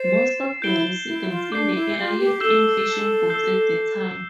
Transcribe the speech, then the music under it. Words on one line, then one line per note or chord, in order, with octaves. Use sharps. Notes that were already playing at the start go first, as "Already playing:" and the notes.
Most of the residents in the area lived in fishing boats at the time.
Already playing: C5 A6 C7 E7
E4 G6 D7 G7
E4
F4
D4 D6 G6 C7
E4
F4
G4
A4 E6 G6 C7 E7 G7
E6 G6 C7 G7